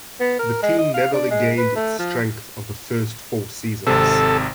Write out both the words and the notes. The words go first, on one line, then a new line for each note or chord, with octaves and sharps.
The team never regained its strength of the first four seasons.
B3
A#4
G#3
D#5
F5
D4
G#3
B4
A3
F3
G#1 C3 A4